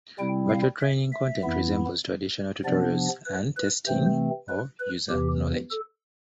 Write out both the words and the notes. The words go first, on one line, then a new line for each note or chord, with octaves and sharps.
Virtual training content resembles traditional tutorials and testing of user knowledge.
C3 G3 C4 E4 G5
F5
E5
E5
F2 E3 B3 E4
C3 F3 B3 D4 D5
B4
B4
C3 E3 A3 C4 C5
B4
B4
E2 C3 E3 G4
A4